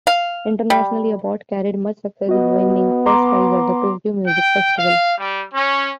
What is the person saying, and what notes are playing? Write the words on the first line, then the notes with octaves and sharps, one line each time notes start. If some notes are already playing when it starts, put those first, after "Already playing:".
Internationally, Abbott carried much success, winning first prize at the Tokyo Music Festival.
F5
G3
B3 F#4 D#5
A#5 C6 D6
G5
F5
G3
C#4